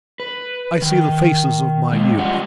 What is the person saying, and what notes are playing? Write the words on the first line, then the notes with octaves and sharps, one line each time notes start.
I see the faces of my youth.
B4
D#3
C3 G#3
G3 F4 G4 C5 D#5 F#5